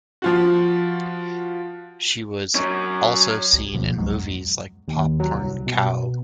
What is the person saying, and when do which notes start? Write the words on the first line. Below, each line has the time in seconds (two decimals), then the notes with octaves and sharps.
She was also seen in movies like Popcorn Khao!
0.22 F3 F4 F#4
2.55 F#3 C#4
3.53 C2
3.73 D2 B2 F3 A#3
3.98 C#2 G#2 F#3 G#3
4.15 F2
4.88 D#2
5.20 F#3
5.34 C2
5.67 B2